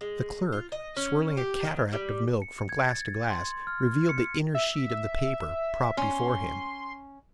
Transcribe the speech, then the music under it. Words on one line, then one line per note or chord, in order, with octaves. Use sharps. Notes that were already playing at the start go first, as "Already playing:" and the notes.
The clerk, swirling a cataract of milk from glass to glass, revealed the inner sheet of the paper propped before him.
G#3
F4
D#5
C#4
G4
D#3
G3
C#7
G#6
A6
C6
F6
C#7
E5
C#4 C6